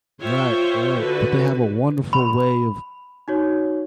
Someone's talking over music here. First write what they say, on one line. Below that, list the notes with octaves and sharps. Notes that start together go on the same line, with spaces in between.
Right, right. But they have a wonderful way of
F4 C5 C#5 E5 G5
D3 F#4 B4
B5
D#4 F#4 C#5